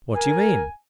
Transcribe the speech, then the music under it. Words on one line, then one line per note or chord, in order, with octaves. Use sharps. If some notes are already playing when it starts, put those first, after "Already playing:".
"What do you mean?"
A#4 G#5